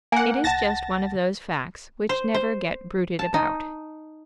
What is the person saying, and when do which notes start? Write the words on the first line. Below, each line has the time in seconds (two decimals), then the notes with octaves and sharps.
It is just one of those facts which never get bruited about.
0.12 A#3 F#5 G#5
0.44 C2 F#5 A5 A6 A#6
2.09 C5
2.34 C5
3.19 A5
3.34 D#4